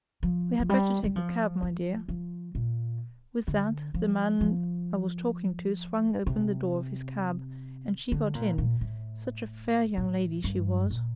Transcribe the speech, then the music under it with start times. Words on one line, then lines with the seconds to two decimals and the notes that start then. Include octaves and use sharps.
We had better take a cab, my dear.' With that the man I was talking to swung open the door of his cab, and she got in--such a fair young lady, she was!
0.23 F3
0.60 F3
0.69 G3
1.04 G3
1.16 F3
1.62 F3
2.09 F3
2.55 A#2
3.48 D3
3.94 F3
4.41 F3
6.26 C3
8.12 D3
8.35 A#2
8.58 A#2
8.81 A2
9.98 A2
10.44 G2
10.90 A#2